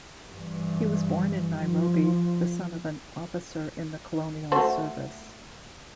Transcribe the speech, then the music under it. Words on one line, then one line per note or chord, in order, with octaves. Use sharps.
He was born in Nairobi the son of an officer in the Colonial Service.
G2 E3
F3
A3 F#4 C5